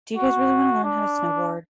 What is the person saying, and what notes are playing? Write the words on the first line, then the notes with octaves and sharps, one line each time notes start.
do you guys really wanna learn how to snowboard?"
F#4
D4